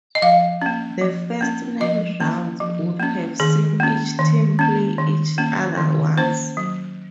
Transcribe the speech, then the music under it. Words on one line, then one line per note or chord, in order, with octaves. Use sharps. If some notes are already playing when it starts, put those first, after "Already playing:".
The first nine rounds would have seen each team play each other once.
D#5
F3 F5
A#3 C#4
F3
A#3 C#4
F3 D#5
A#3 C#4
F3
A#3 C#4
D#3 G#4
A#3 C#4
D#3
A#3 C#4
D#3
A#3 C#4
D#3
A#3 C#4 C5
F#3